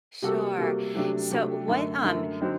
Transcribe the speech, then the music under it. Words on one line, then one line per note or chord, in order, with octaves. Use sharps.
Sure. So what um,
C3 G3 A#3 F#4 A4
C3 G3 A#3 F#4 A4
C3 F#3 A3 D4 G4
C3 F#3 A3 D4 G4
F#2 D3 A3
F#2 D3 A3
D3 F#3 C4 D#4